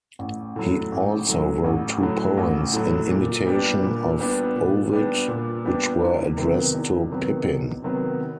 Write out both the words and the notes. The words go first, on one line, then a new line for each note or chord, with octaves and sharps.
He also wrote two poems in imitation of Ovid, which were addressed to Pippin.
A1
A2 F#3
A1
A2 F#3
A1
A2 F#3
A1
A2 F#3
A#2
G3 B3 D4
A#2
G3 B3 D4
A#2
G3 B3 D4
A#2
G3 B3 D4
E2
C3 D#3 F#3 B3
E2
C3 D#3 F#3 B3
E2
C3 D#3 F#3 B3